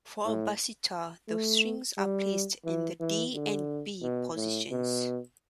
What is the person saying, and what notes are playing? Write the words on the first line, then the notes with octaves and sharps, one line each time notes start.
For a basitar, the strings are placed in the D and B positions.
A2
A3
G3
E3
E3
D3
B2
A2
B2